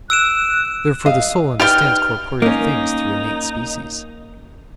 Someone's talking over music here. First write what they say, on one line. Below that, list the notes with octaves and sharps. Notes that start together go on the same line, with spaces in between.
Therefore the soul understands corporeal things through innate species.
E6 F#6 D7 E7
D#5 F5
D#4 G4 B4 D5 G5 F6
A#3 C#4 D#4